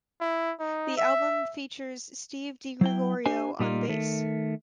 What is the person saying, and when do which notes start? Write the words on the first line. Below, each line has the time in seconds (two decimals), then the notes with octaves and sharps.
The album features Steve DiGiorgio on bass.
0.21 E4
0.60 D#4
0.98 E5
2.81 F#3 E4 G5
3.26 D4 G4 C5 D#5 G#5
3.60 A#2 G3 D#4 F4
3.88 D#3 A3